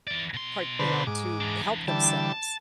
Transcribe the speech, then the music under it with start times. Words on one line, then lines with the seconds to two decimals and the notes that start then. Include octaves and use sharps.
part you know, to help themselves.
0.07 E3 D5
0.34 B2 C6
0.79 D3 B4 C5
1.07 G#2 D6
1.41 E3 D4
1.88 D3 E3 G3 A5